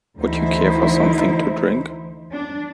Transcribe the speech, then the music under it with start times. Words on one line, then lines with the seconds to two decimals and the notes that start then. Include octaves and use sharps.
Would you care for something to drink?
0.17 D2 E3 D#4 E4 C5
2.31 D4